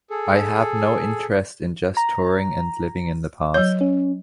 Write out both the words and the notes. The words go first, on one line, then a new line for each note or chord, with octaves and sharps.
I have no interest in just touring, and living in the past.
G#4 A4
A#5
F#3 C#5 G6
C#4